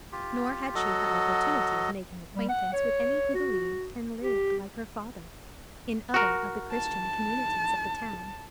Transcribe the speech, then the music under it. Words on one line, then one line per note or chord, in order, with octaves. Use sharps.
Nor had she had opportunity of making acquaintance with any who believed and lived like her father, in other of the Christian communities of the town.
F4 G4
F#3 F#4 A4 D#5
G3
F#5
C#5
F#4
G4
F#4 A#4
A5